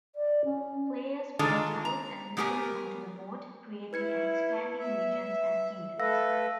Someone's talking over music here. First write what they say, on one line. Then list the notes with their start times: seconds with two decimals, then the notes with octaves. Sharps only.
Players play tiles and leaders onto the board, creating and expanding regions and kingdoms.
0.15 D5
0.45 C#4
1.39 D#3 G#3 D4 F4 A4 A#5
1.85 A#5
2.37 F#3 B3 G4 A#4 G#5
3.93 E4 B4 G#6 C#7
4.79 E5
6.00 A3 A4 B4 F5 E6 A#6